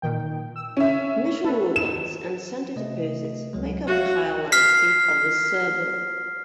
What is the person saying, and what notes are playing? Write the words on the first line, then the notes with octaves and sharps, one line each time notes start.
Natural woodlands and sandy deposits make up the higher landscape of this suburb.
A#2 D#3 G5
E6
C#4 E5
A4 B4
E7
C3 A3 D#5
C#2 F#3 G#3
F#4 C#5 E5 F5
F6 B6 C7